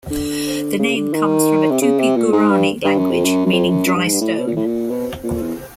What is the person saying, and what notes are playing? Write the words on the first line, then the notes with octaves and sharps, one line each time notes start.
The name comes from a Tupi-Guarani language, meaning "dry stone".
D3
C#3
D3
D#3
C3
C#3
C3
A#2
G#2
G2
G2
F#2
F2
F#2
F#2
F2
F#2
F#2
G2
G#2
G2
A2
B2
A#2
A2
A#2
B2
A#2
E2